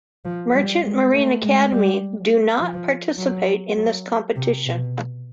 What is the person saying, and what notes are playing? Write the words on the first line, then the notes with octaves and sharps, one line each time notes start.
Merchant Marine Academy - do not participate in this competition.
F3
G3
G#3
A3
G#3
G3
F3
F#3
F#3
C3
B2